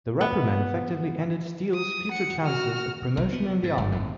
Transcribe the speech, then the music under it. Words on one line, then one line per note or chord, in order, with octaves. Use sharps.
The reprimand effectively ended Steele's future chances of promotion in the Army.
B3
D#6
F#5 C#7
F#4 F6
B1
B3
G#2
G1
G#1